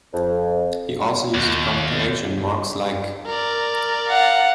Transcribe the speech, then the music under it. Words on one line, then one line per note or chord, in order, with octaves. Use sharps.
He also uses punctuation marks like !
F2
D#2
A#4 D5
F5 F#5